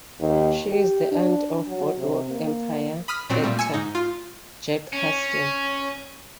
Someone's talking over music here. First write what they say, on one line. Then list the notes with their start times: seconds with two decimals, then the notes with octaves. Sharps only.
She is the aunt of "Boardwalk Empire" actor Jack Huston.
0.20 D#2
0.69 G4
1.11 D4
1.68 F#3
1.97 C3
2.30 A#3
3.08 B5 D#6 F6 B6
3.30 A#2 F#3 C4
3.42 A#2 G3 A3
3.59 G#5 E6 C#7
3.74 G#2 D#4
3.95 F4
4.93 C#4